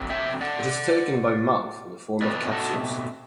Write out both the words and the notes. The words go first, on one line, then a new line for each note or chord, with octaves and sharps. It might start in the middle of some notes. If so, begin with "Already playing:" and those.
It is taken by mouth in the form of capsules.
Already playing: D3 F#3 C4
E5 G5
D5 F#5
B2 A3 C4 B4 D5
F#4 A4